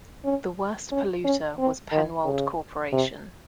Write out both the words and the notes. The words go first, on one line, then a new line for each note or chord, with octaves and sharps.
The worst polluter was Pennwalt Corporation.
C#4
C#4
C#4
C4
D#3
C#3
C3